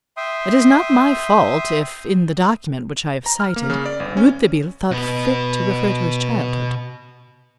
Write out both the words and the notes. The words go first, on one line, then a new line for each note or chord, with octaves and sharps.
It is not my fault if, in the document which I have cited, Rouletabille thought fit to refer to his childhood.
E5 G5 C6 D#6
A#5
F6
A#3
C#3
D5
G1
C#4
B2 B4